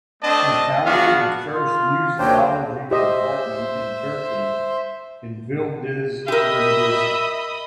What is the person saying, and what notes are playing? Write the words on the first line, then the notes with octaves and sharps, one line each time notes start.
She founded the first Museology department in Turkey in Yildiz University.
A3 C4 D4 D#5 A5
B3 D4 F#4 G#4 F5
F4
D#2 F#3 D4 C5 G5
G4 C5 D#5 E5
G4 A#4 D#5 E5 B5 D#6